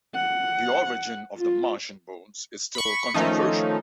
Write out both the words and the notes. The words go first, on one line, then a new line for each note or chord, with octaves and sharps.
The origin of the Martian moons is still controversial.
F#5
F4
B5 C#6
D#3 F3 A3 C#4 D#4